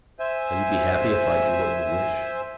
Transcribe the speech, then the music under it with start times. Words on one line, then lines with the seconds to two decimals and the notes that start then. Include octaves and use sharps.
"Shall you be happy if I do what you wish?"
0.19 C5 E5 G#5